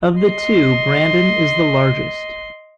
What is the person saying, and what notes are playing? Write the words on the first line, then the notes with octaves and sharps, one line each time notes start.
Of the two, Brandon is the largest.
D#5 C6